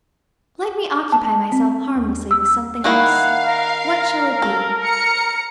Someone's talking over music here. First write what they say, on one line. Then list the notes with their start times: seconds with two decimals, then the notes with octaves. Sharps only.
Let me occupy myself harmlessly with something else. What shall it be?
1.12 A5
1.52 C4
1.96 D#2
2.31 E6
2.84 D#3 A#3 E4 F5 F#5
3.47 A#4
4.42 A4
4.85 A#5 C#7